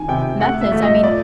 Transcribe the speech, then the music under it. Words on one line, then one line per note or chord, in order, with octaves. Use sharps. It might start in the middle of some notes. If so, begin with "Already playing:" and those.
methods. I mean,
Already playing: D#3 G#5
C3 G5
A3 F#5
E5
A3
D#5
A#2 D5